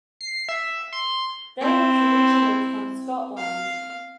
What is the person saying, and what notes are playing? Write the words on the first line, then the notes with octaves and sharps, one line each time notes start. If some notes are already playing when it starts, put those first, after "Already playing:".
Dave was originally from Scotland.
C7
E5
C6
C4 E4
F5